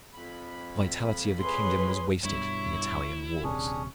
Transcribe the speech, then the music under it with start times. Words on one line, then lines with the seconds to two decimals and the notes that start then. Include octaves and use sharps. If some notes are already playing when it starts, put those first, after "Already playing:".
The vitality of the kingdom was wasted in Italian wars.
0.13 F2 B5
1.40 G#4 B4 C#5 C6
2.25 G2 B2 E4 C#5
3.44 D#1 C3 C#4 D4 G#4